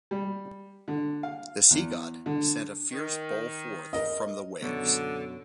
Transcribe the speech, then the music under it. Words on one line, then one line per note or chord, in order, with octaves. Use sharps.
The sea-god sent a fierce bull forth from the waves.
G3
D3
F5
E2
D3
D#3
A#4 D#5
F#2 B2 D3